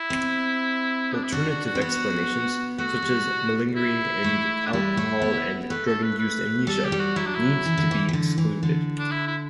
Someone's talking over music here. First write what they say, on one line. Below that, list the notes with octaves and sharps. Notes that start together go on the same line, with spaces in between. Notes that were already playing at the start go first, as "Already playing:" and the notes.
Alternative explanations, such as malingering and alcohol and drug-induced amnesia, need to be excluded.
Already playing: E4
C4
D4
E4
D4 F#4
F#4
F#4
C4
B3 F#4
A3 F#4
G3
E4
A3
D4
G3 E4
A3
B3
A3 B4
A4
B4
B4
G3 A4
G4
G3
F#4
F#3 E4
D4
E4
E3
D3
E3
E3
D3
E3
D3
D4
E4
E4